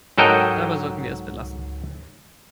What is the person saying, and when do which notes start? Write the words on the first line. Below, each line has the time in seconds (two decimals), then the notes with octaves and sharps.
Dabei sollten wir es belassen.
0.18 G#2 F#3 A4 A#4 D#5 G5